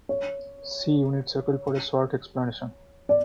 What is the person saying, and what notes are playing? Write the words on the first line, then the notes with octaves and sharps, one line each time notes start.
See unit circle for a short explanation.
C#5
D5